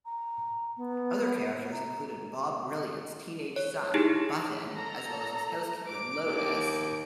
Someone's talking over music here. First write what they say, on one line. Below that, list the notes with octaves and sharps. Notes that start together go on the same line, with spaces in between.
Other characters included Bob Brilliant's teenage son, Button, as well as his housekeeper, Lotus.
A#5
B3
A#5
C#5
D#4 E4 G4 G#4
A4 A#5
D6 D7
D#2